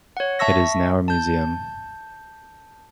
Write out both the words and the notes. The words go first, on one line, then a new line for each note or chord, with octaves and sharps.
It is now a museum.
C#5 F#5
E5 A5 C#6 E6 A#6
A5 G6